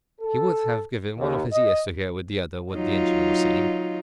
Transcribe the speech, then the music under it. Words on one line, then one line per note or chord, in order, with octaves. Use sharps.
He would have given one of his ears to hear with the other what the engineer was saying.
A4
D#2
D#5
F#3 D#4 F4